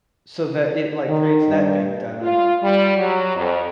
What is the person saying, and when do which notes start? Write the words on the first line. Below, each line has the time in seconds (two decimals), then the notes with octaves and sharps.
So that it, like, creates that big dilemma
1.09 D#3
1.49 G2
2.22 F4
2.63 G3
2.96 F#3
3.35 F2